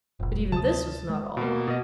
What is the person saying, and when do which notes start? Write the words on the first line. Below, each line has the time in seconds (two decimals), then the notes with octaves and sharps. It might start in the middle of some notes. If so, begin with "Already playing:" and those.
But even this was not all.
0.20 F1 A#1
0.52 D2 C3 F#3 A5 D#6
1.09 G#3
1.37 B2 A#3
1.68 B2 D#5